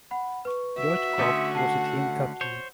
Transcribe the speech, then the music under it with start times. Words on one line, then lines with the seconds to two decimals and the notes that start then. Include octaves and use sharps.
George Cobb was the team captain.
0.11 F#5 B5
0.45 B4 C#6
0.77 F#4 E5
1.19 D3 A3 C#4 C6 D#6 C#7
1.55 F#5 A5 C7
2.41 C5 C#5